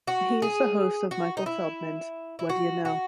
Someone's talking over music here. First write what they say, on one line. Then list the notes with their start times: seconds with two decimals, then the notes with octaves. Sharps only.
He is the host of Michael Feldman's Whad'Ya Know?
0.07 F#4
0.42 G#4
1.11 F#4
1.37 D#4
1.46 E4
2.39 E4
2.49 F#4
2.85 F#4